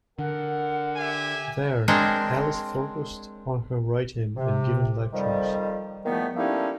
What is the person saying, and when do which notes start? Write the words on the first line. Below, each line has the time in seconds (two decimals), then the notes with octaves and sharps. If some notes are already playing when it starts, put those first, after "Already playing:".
There, Alice focused on her writing and giving lectures.
0.19 D3 A#4 F#5
0.96 G4 E5 G#5
1.88 G#3 C4 D4 A#4 C5 C#5
4.36 C3
5.13 F2 D#3 F3 G3
6.06 E2 A#2 D#3 F3 A3 B3
6.36 G3 A3 A#3 C#4 D#4 E4